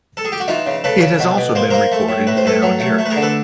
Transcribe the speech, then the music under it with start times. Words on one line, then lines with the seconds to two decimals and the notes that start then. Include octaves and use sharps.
It has also been recorded in Algeria.
0.17 A4
0.25 G#4
0.32 G4
0.40 F#4
0.48 E3 D#4 F4
0.66 C#3
0.84 C#3 A4 B4
1.02 C#3
1.20 B2
1.37 B2
1.55 A#3 C5
1.70 A#3 A#4 C5
1.92 A3
2.09 A2
2.27 A2 B4
2.37 C5
2.45 A2 A4 B4
2.62 F#3
2.80 A3
2.98 A3
3.06 B4
3.10 G#4 A#4
3.16 D3
3.22 A4 B4